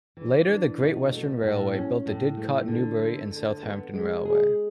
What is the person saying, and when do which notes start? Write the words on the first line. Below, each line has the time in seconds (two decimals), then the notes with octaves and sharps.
Later, the Great Western Railway built the Didcot, Newbury and Southampton Railway.
0.17 E3
0.48 D4
0.80 B2
1.11 A3
1.43 A2
1.74 C#4
2.06 A2
2.37 A3
2.68 D3
2.99 A3
3.31 D3
3.63 B3
3.94 G#3
4.25 G#4